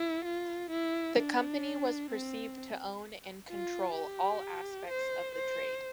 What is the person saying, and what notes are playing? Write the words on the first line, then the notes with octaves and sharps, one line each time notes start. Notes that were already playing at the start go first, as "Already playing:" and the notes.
The company was perceived to own and control all aspects of the trade.
Already playing: E4
F4
E4
D4
C4
F4
G4
C5
C5